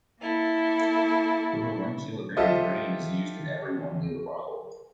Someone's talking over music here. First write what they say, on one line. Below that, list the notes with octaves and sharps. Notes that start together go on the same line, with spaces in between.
Over one kilogram of grain is used in every one-liter bottle.
A#3 E4 A4
F4 G4 A4 C5 D#5 E5